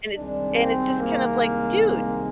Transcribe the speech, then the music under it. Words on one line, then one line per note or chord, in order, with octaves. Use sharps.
And it's and it's just kind of like, "Dude,
C2 C3 D#3 G#3 D4
C4
A#3
A#3